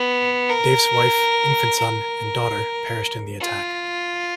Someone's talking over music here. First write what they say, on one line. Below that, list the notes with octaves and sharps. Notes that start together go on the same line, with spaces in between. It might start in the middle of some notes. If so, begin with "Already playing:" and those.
Deif's wife, infant son, and daughter perished in the attack.
Already playing: B3
A#4
A#4
F4